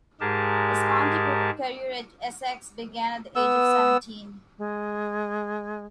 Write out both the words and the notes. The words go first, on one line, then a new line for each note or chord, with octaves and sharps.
His county cricket career at Essex began at the age of seventeen.
G#2 G#3 G4 G#4 A#4 A5
B3 E6
G#3